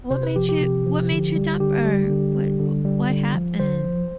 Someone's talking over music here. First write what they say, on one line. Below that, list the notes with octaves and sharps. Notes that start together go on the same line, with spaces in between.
What made you what made you dump her? What w what happened?
C3 C5
B4
F3 G4
G4
C3
F3
D3
G3
D3 G4
G3
D3
G3
D3
G3
D3
F3
D3 C5
F3